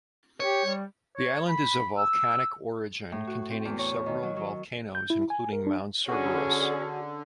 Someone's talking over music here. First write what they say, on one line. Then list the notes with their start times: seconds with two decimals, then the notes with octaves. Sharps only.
The island is of volcanic origin, containing several volcanoes including Mount Cerberus.
0.40 G4 C#5
0.65 G3
1.17 C#5
1.48 B5
1.97 E6
3.12 A2
3.27 F#4
3.50 C4
3.65 E2
3.79 C#5
4.06 D#3
4.23 F#3
4.36 F#3
4.95 G6
5.10 E4
5.30 G#5
5.53 A#4
5.67 D4
6.09 D3 C#4 F#4 G#4 A4